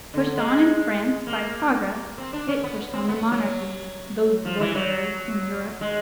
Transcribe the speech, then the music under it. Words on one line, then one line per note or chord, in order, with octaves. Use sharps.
Pushed on in France by progress, it pushed on the monarchies, those loiterers in Europe.
D3
G#3
A#3
C4
D4
C#4
B3
C4
B3
F#3
F3
E3
F#3
G#3